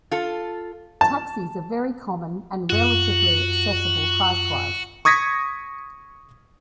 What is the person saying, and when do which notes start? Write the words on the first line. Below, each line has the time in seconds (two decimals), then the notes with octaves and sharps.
Taxis are very common and relatively accessible price-wise.
0.11 F4 A4
1.01 A5
2.70 F#2 F4 F#4
5.05 C#6 D#6 G#6 A#6 B6 C#7